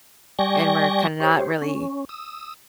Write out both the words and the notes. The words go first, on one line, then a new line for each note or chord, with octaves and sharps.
and we're kinda not really
G3 D5 G5 G#5 C#6 A#6
G4 C5 C#5
C#4
D#6 E6